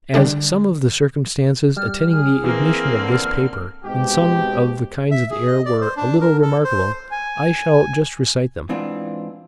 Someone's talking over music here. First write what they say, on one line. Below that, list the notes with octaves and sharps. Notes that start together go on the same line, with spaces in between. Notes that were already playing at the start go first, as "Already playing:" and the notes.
As some of the circumstances attending the ignition of this paper in some of the kinds of air were a little remarkable, I shall just recite them.
D3 G3 D4 A4
G3 F6
G#4
E3 A#3 C4
D3
G#2 B2 C4 G4
E5
G#4
D#5
D5
C5
D4
A#4
A4
C5
G#5
G#2 E3 C4 D4 F4